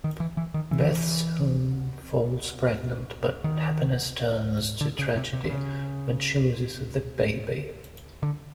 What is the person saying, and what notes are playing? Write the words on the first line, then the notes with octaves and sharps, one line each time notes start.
Beth soon falls pregnant but happiness turns to tragedy when she loses the baby.
D#3
E3
E3
D#3
E3
D#3
D3
C#3
C3
C3
D3
C#3
D3